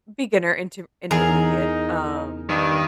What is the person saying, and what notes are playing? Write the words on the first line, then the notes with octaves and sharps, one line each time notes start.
beginner inter intermediate, um,
E2 D#4 G#4 A#4
G2 D#3